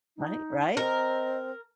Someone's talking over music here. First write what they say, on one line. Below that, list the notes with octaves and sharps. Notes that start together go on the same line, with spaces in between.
Right, right.
D#4
C4 A#4 D#5